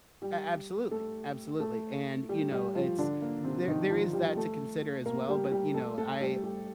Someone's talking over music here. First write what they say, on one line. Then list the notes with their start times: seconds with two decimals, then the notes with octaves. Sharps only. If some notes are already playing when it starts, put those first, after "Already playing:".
A absolutely, absolutely, and, you know, it's there there is that to consider as well, but, you know, I
0.22 G3 G4
0.91 A3 A4
1.60 A3 A4
2.29 G3 G4
2.52 G3 G4
2.75 F3 F4
2.98 D3 D4
3.22 A#3
3.44 C3 C4
3.68 D#3 D#4
3.90 F3 F4
4.13 G3 G4
4.37 A3 A4
5.06 A#3 A#4
5.28 G3 G4
5.52 G3 G4
5.74 A3 A4
5.98 A3 A4
6.21 G3 G4
6.44 G3 G4